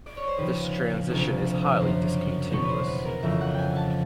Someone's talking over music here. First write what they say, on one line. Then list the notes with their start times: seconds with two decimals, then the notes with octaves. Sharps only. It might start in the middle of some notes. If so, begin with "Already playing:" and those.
This transition is highly discontinuous.
0.06 D5
0.17 C#5
0.28 C5
0.38 D#2 C#3 F3 B4
1.09 D2 C3 F3
1.80 F#2 C#3 F#3 C5
2.50 E2 B2 F#3 C#5
2.64 B4
2.70 C5
2.87 B4
3.05 A#4
3.22 F2 C#3 E3 E5
3.41 F#5
3.54 G5 G#5
3.76 A5